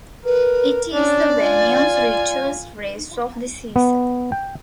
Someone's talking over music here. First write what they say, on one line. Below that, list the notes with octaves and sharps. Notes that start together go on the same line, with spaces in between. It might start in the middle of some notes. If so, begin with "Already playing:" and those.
It is the venue's richest race of the season.
A#4 B4
C#4 D4 D5
F4 G#5
B3
G5